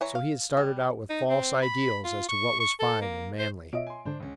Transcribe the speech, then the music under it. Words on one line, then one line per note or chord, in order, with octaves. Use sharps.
So he had started out with false ideals as to what was fine and manly.
E3 C#5 A#5
F5
G3
D#4
C4
B5
F4
C#6
C#6
A4
A#3
C5
B2 F4 C#5 D#5 E5 D7
G#5 C6
G#2 D3 D4 C5
C#2 C#4